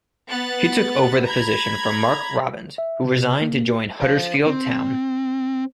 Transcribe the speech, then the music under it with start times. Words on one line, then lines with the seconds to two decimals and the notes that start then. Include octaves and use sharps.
He took over the position from Mark Robins, who resigned to join Huddersfield Town.
0.28 B3 F#6 A6
1.26 A#5 B5 G#6
2.78 E5
3.05 C3
3.42 A#3
4.00 C5 F5
4.46 C4